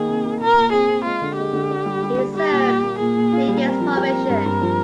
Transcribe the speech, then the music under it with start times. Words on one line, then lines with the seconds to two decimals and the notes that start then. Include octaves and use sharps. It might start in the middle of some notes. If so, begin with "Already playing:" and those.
He served two years probation.
Already playing: D#3 A#3 G#4
0.08 C3
0.25 A#3
0.41 A#2 A#4
0.56 A#2
0.73 C4 G#4
0.89 C4
1.05 G#3 F4
1.22 D3
1.37 G#3 G4
1.53 D3
1.71 D4
1.86 G3
2.03 G3
2.18 G3
2.34 G3 G4
2.51 A#2
2.66 A#2
2.83 A#3
2.99 A#2 G#4
3.16 A#2
3.32 F4
3.48 G3
3.64 C4 A#4
3.80 F3
3.97 G4
4.13 C4
4.30 G2
4.46 G2
4.62 F3